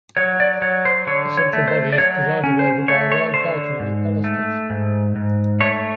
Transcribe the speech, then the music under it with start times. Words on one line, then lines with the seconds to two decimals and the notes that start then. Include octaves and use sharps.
The central body is presided over by a wide balcony with balusters.
0.17 F#3 C#5
0.40 D5
0.62 F#3 C#5
0.85 C5
1.07 D3 C#5
1.37 C#5
1.53 A3
1.68 C5
1.92 D5
1.98 F#3 C#5
2.44 C#4
2.59 C5
2.88 A3 C#5
3.12 C#5
3.34 D3 C5
3.80 G#2
4.24 A3
4.70 G#2
5.16 G#2
5.60 A3 C#5